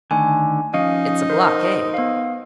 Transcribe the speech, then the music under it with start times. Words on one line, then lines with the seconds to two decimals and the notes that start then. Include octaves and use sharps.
"It's a blockade."
0.11 D3 D#3 A3 G#5
0.74 F3 C#4 D#4 D#5 F5
1.30 A#4 C5
1.94 B3 F5